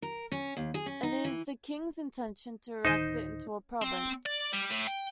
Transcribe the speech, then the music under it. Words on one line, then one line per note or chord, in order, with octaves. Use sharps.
And it is the King's intention to erect it into a province.
A#4
C#4
D#2
G#4
C#4
D#4
E3
D1 D#3 D#4 C5 D#5
C4
D5
G3
A2
G5